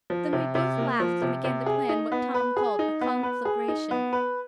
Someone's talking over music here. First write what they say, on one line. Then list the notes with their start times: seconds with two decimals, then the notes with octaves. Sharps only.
Then we both laughed and began to plan what Tom called a conflagration.
0.10 F3
0.33 C3
0.55 C3
0.78 A#3
1.00 F3
1.22 C3
1.44 C3
1.66 G#4
1.89 D#4
2.12 B3
2.34 B4
2.57 G#4
2.79 D#4
3.01 B3
3.23 B4
3.45 G#4
3.68 D#4
3.91 B3
4.13 B4